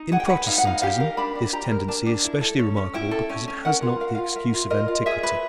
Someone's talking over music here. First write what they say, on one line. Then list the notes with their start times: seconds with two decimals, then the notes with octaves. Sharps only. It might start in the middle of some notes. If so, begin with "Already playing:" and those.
In Protestantism this tendency is specially remarkable because it has not the excuse of antiquity.
Already playing: D#4
0.12 G#4 F#5
0.20 G5
0.27 B4 F#5
0.47 D#4 F5
0.58 F#5
0.65 D#4 F5
0.82 G4 F5
1.00 A#4
1.17 D4 B5
1.35 D4
1.53 G4 A#5
1.71 A#4
1.88 D4 A5
2.06 D4
2.24 E4
2.41 A4
2.59 C#4
2.77 C#4
2.94 E4 G5
3.11 A4
3.30 C#4
3.48 C#4
3.65 A#4 F#5
3.82 F4
4.00 A#4 F5
4.08 F#5
4.15 F4 F5
4.36 A#4 E5
4.54 F4
4.70 A#4 D#5
4.88 F4
5.06 G#4 E5
5.23 B4